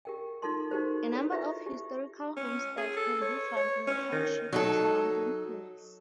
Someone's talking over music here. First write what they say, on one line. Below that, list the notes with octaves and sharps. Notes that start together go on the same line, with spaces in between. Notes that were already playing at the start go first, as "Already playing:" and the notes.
A number of historical homesteads can be found in the township and surrounding hills.
G4 A#4 G5
D#4 F4 A4 A#4 A5 C6
D#4 F#4 G4 A#4 C5
F#4 A4 B4 C#5
E4 F4 G4 B4 E5
G4
C#4
G#4
A4
C#5
C#5
C#4
D#3
F#3 D#4 A4